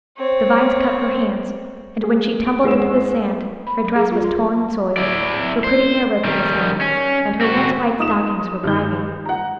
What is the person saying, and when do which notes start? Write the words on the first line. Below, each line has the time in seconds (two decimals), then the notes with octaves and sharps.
The vines cut her hands, and when she tumbled into the sand her dress was torn and soiled, her pretty hair-ribbon was gone, and her once white stockings were grimy.
0.19 C4 C#5
2.03 G#4
2.42 D7
2.64 E2 G#3 B3 E6 E7
3.67 B5
3.84 F#3
3.96 G#4
4.11 F4
4.24 C6
4.97 E4 D5
5.64 C5
6.24 D#3 G3
6.81 C#4
7.41 C4 F#4
7.99 D#4 D#6 E7
8.63 G2 D#3 G6
9.25 F#5 A#5